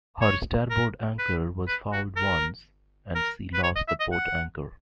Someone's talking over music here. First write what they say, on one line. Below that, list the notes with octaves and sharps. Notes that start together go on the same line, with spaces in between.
Her starboard anchor was fouled once, and she lost the port anchor.
C#5
A#4
B4
B4
F#4
A#4
A#4
B4
C#5
D#5
E5
D#5
F#5